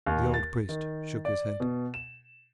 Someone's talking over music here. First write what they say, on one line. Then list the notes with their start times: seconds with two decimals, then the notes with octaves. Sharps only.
The old priest shook his head.
0.06 D#2
0.34 A6
0.69 D#3
1.25 D5
1.60 B2
1.94 E7